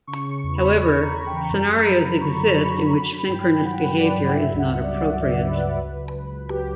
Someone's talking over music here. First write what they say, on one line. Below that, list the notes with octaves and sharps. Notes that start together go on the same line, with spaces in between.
However, scenarios exist in which synchronous behaviour is not appropriate.
C#3 C#6
C#3
E2
B5
E2
E2
E2
A#5
E2
G5
E3
F#2 A#5
F#2
F#3 B5
F#3
D3 C#6
F#2
F#3 B5
F#3
C#6
F#3 B5
F#3
G2 G5
G2
F#3 F#5
F#3
F#3 D5
G2
D5
F#3 E5
C#2
F#5
C#2
D5
F#3
C#2
C#3
C#2 B4
F#3
C#2
C#2
C#2
C#2
F#3 G4